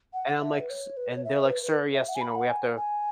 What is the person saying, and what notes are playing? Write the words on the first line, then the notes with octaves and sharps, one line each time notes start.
And I'm, like, "s" and they're, like, "Sir, yes, you know, we have to
F#5
E5
B4
C#5
B4
C#5
E5
B4
B4
E5
F#5
G#5
B5
F#5
G#5
G#5